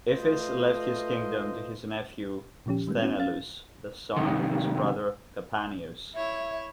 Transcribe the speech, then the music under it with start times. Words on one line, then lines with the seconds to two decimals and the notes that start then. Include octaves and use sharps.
Iphis left his kingdom to his nephew Sthenelus, the son of his brother Capaneus.
0.12 A3 F4 B4 C5 D#5
2.66 A#2 D#3 F3 C#4 G4
2.87 D#3 G3 G#3 A#3 B3
3.01 B3 C#4 E4 F#4
3.20 C#4 F5 A6
4.16 G2 C3 D#3
6.14 E4 C#5 E5